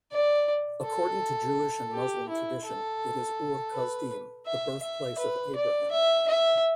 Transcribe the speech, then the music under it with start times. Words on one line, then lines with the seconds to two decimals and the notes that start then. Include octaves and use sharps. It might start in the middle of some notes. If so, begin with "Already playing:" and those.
According to Jewish and Muslim tradition, it is Ur Kasdim, the birthplace of Abraham.
0.12 D5
0.84 A4
1.93 G4
2.29 E4
2.66 A4
3.75 B4
4.47 E5
4.83 E5
5.19 B4
5.56 D5
5.91 E5
6.28 E5